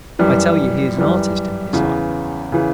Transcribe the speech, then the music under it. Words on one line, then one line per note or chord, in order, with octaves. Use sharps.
I tell you he is an artist in his line.
F#2 E3 G3
F#2 E3 G3
E2 C#3 E3
C#3 E3